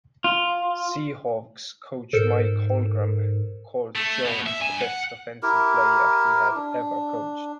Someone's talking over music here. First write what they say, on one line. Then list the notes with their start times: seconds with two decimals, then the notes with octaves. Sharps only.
Seahawks coach Mike Holmgren called Jones the best offensive player he had ever coached.
0.24 F4
2.13 G#2 A4 A#4 C5
3.96 A3
4.25 B2
4.46 E5
4.60 G2 G#5
4.81 F#5
5.43 E4 G4 A#4
6.55 D4